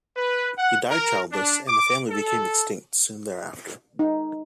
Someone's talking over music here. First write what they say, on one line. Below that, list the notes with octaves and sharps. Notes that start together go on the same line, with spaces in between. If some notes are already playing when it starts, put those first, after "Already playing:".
He died childless, and the family became extinct soon thereafter.
B4
F#5
A#4
D4
D6
A4
D#4